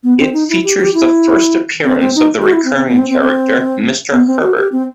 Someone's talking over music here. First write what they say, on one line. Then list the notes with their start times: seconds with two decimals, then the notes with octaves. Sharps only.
It features the first appearance of the recurring character Mr. Herbert.
0.04 B3
0.19 C4
0.33 D#4
0.49 E4
0.64 G4
0.80 G4
0.94 E4
1.85 C4
2.00 C4
2.16 D#4
2.42 F#4
2.53 E4
2.65 C4
2.76 C4
2.88 B3
2.98 C4
3.10 C4
3.21 C4
4.12 B3
4.27 C4
4.42 F#4
4.57 G4
4.72 C4